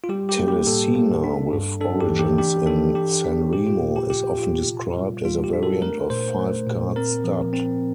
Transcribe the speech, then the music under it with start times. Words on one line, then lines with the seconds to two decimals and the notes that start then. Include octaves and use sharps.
Telesina, with origins in Sanremo, is often described as a variant of five-card stud.
0.04 F4
0.09 G3 G4
0.29 G4
0.38 A#3
0.48 G4
0.67 A2 A4
0.95 A#3
1.24 D4
1.53 G2
1.81 D4 A4
2.01 G4
2.09 E3
2.19 G4
2.38 D4 G4
2.67 D4 A4
2.95 D4 G4
3.24 D4
3.53 A#2 G4
3.67 F4
3.81 A#2
3.96 G4
4.10 F3 G4
4.39 A#2 F4
4.68 C3
4.96 G3
5.24 G3 F4
5.44 G4
5.53 D4
5.63 A4
5.82 A3 A#4
6.10 A#2 C5
6.39 A3
6.67 A#2
6.96 C4 A#4
7.24 F3
7.53 C4